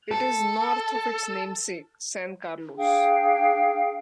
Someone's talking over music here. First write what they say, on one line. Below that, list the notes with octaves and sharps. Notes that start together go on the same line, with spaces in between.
It is north of its namesake San Carlos.
A4
D4 G#4 F5 G5